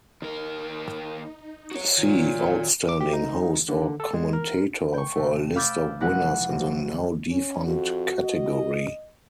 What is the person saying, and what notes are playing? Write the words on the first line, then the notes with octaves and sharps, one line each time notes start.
See Outstanding Host or Commentator for a list of winners in the now-defunct category.
D#2 D#4 A#4
F#4 C#5
A#2 D#3
D6
G4
D#4
D3
A4
G#3
A#4
G5 C#6
C3 A3
F5 B5 D6 E6 G6 A6
F1 G#3 E4 B4 F#5
F#1
C#4
F2 F#4
D#5